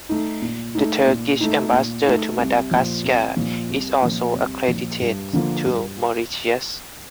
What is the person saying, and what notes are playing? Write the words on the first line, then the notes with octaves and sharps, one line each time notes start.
The Turkish ambassador to Madagascar is also accredited to Mauritius.
A3 D#4
A#2
A3 D#4
A#2
A3 D#4
A#2
A3 D#4
C2
A#2 F3
C2
A#2 F3
C2
A#2 F3
C2
A#2 F3
G2
D3 F3 A#3 F4
G2